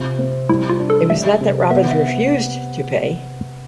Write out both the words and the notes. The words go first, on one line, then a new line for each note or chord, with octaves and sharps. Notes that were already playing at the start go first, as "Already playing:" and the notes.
It was not that Robens refused to pay.
Already playing: C3 F4
C4
G3 E4
F4
D4
A4
G3 E5
C3
B3 E5
E5